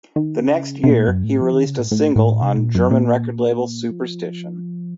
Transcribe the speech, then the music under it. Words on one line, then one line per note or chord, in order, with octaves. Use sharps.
The next year, he released a single on German record label Superstition.
D#3
C#3
C3
A#2
F#2
A2
F3
D#3
C#3
A2
A2
A2
C3
A#2
F#2
A#2
F3